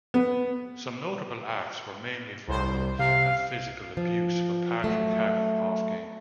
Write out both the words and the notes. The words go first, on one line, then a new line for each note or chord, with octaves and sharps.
Some notable acts were mainly verbal and physical abuse when Patrick had an off-game.
B3
C2 C5
C3 F5
F3
F#3 A3